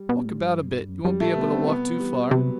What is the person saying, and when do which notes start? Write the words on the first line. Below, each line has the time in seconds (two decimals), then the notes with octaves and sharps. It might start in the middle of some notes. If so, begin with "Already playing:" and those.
Walk about a bit, you won't be able to walk too far.
Already playing: G3
0.09 B2
0.25 A2
0.41 G2
0.57 F#2
0.72 G2
0.89 F#2
1.05 F#2 G3
1.20 A2 A3
1.36 B2 B3
1.52 D#3 C4
1.68 B2 B3
1.84 C3
1.99 E3 G3
2.31 C3 F#3